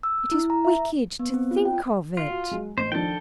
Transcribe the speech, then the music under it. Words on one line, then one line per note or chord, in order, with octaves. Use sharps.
"It is wicked to think of it."
E6
E4
A#5
E5
B3
C4
F4
G5
F4
F#4
F#3 G#3
A1 C5
D#3 F3 D4 A4 G5